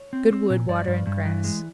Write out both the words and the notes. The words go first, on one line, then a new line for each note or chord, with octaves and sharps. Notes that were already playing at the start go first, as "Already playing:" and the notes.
Good wood, water, and grass.
Already playing: C#5
C4
C4
A#2
G2 D5
G2
G2
E3
G#3